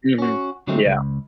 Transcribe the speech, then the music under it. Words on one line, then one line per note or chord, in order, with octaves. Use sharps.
Mhm, yeah.
C#4 F#4
D3 F#3 G#3 A3 C4
C#2